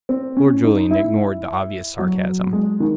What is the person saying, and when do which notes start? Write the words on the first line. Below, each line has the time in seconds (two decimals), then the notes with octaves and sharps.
Lord Julian ignored the obvious sarcasm.
0.09 C4
0.37 C#4
0.64 D#4
0.91 E4
1.99 F#3
2.53 G#3
2.80 D#3